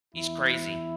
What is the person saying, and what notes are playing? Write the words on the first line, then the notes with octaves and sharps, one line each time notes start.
He's crazy.
E2 E3 E4